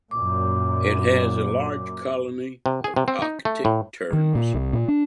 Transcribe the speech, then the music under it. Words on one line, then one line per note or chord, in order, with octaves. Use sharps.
It has a large colony of Arctic terns.
F#2 A#2 D6
C3
G#4
C3
C4
D#4
A3
A2
D#3
A#2
C2
A#2
D4